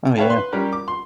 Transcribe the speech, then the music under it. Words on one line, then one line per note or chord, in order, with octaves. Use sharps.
Oh, yeah.
B4 C#5 E5 F5 G5 A5
B4 C6
G3 C#4 G4 A#4
D6
C6